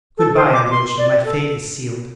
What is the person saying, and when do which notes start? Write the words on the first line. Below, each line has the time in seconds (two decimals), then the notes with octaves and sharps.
Good-by, Alyosha, my fate is sealed.
0.18 A4
0.36 C5
0.53 D6
0.71 C6
0.98 D5
1.24 A4